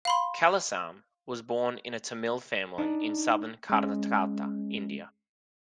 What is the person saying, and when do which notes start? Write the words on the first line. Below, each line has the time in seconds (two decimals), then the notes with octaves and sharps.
Kailasam was born in a Tamil family in southern Karnataka, India.
0.05 F5 B5 C6
2.78 D4 D#4
3.70 G#3 C#4